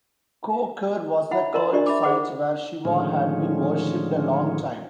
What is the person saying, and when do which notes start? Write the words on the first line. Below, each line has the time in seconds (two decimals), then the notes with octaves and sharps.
Koh Ker was a cult site where Shiva had been worshipped a long time.
1.31 E4 E5 F#5 B5
1.54 F4 A#4 D5 D#5 A#5 C6
1.72 D4 G4 D5 D#5
1.86 E5 B5 D6
2.03 G#4 C5 F#5 D6
2.85 A2 D3 D#3 F3 G#3 C#4